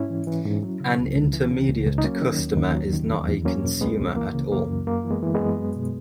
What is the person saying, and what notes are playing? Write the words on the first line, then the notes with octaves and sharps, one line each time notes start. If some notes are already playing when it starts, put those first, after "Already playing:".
An intermediate customer is not a consumer at all.
Already playing: G#2 C#4 E4
E3
E3
G#2
F#3
C#3
C#2
C#2
E3
C#3
C#2
C#2
D#4
F#3 A#3 C#4
D#3
D#2
D#2
F#3
D#3
E2
E2
F#3 A#3 C#4
B2
C#2 G#3 B3
C#2
E3 A#3
C#3
F#2 A#3
F#2
F#2 A#3
E3
G#3 B3
E3
G#3 B3
F#2
F#3
B2